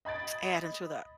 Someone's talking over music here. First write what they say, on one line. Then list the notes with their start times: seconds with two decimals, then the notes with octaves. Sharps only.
adding to the
0.05 D#5 B5 G#6 A6 D7